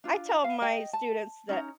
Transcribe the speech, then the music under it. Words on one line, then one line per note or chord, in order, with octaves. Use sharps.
I tell my students that
D4 F4
F5
D#5 G5
A5
C#4 D#4 A#5